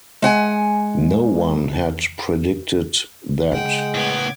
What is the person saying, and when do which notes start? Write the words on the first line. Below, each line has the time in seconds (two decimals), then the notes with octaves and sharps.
No one had predicted that.
0.22 G#3 F#5 G#5
3.52 C#3 G#3 F#5 G5
3.94 A2 B3 D6 G#6